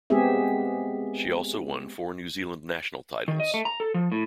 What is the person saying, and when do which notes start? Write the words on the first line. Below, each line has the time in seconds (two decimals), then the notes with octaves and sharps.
She also won four New Zealand national titles.
0.10 G#3 B3 C4 G4 G#4 E5
3.28 D#3
3.40 D#5
3.54 A3
3.65 A#5
3.80 A4
3.94 F3
4.12 A2